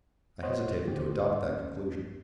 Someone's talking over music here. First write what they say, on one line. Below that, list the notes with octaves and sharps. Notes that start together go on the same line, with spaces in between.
I hesitated to adopt that conclusion.
C5 C#5 D#5 F#5
D2 D3 G4 C5
C#4